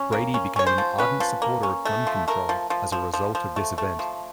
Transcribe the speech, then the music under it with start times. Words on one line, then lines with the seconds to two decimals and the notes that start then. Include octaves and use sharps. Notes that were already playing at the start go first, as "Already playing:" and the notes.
Brady became an ardent supporter of gun control as a result of this event.
Already playing: C#4
0.12 A#3
0.34 C#4
0.56 C#4 C#5
0.67 C5
0.78 F3
0.98 C#4 B4
1.20 F3
1.42 A#3
1.63 C#4
1.85 A3
2.07 F3
2.28 A3 A#4
2.49 F3
2.70 F3
2.92 F3
3.14 F3
3.35 F3
3.56 A3
3.78 A3
3.99 F3